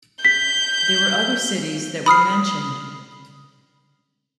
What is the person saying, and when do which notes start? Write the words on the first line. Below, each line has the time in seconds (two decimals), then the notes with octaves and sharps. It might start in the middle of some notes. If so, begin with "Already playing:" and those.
There were other cities that were mentioned.
0.25 G6 B6
2.06 B5 D#6 F6 C7